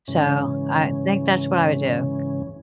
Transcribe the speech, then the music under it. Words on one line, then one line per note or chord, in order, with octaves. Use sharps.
So I think that's what I would do,
G#2 C#3 E3 C#4